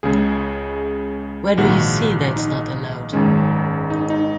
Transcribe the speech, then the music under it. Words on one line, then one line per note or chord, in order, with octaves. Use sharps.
Where do you see that's not allowed?
C#2 C#3 G#3 G#4
A#1 G#2 D#3 A#3 F#4
D#4
G#1 F#2 D#3 G#3 C#4
D#4
D#4